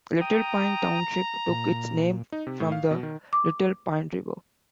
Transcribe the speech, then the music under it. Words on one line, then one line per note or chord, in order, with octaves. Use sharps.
Little Pine Township took its name from the Little Pine River.
G5 A#5 D#6
A#2
D#4
C3
A2
F5
B2
D#3
D6